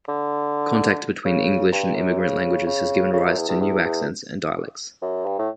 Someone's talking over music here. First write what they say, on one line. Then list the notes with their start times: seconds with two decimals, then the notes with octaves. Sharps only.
Contact between English and immigrant languages has given rise to new accents and dialects.
0.08 D3
1.25 C#3
1.72 G2
1.96 F#2
2.20 C#3
2.67 C#3
3.13 C#3
3.25 F#2
3.38 E2
3.49 E2
3.60 E2
3.84 E2
5.02 F#2
5.26 G2
5.39 A2